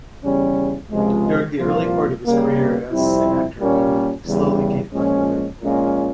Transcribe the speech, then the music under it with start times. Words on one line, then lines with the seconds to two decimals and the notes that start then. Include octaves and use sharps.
During the early part of his career as an actor he slowly gained popularity.
0.23 E2 C#3 G3 C#4
0.90 C#2 C3 F3 G#3
1.57 C2 A#2 F3 A#3 F4
2.25 C#3 G3 A#3
2.91 F2 C3 G3 C4 E4
3.59 A#2 G3 A#3 C#4
4.25 E2 C#3 G3
4.93 A#2 F3 G#3 C#4
5.60 A#1 A#2 G#3 C#4 F4